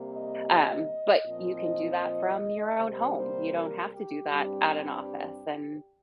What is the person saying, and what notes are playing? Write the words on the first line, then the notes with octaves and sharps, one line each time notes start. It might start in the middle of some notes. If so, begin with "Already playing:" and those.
um, but you can do that from your own home. You don't have to do that at an office and
Already playing: C3 G3 A#3
D#5
D#5
A#2 F3 C4 D#5
C3 G3 A#3 C5
C5
A#4
G4
G2 G3 C4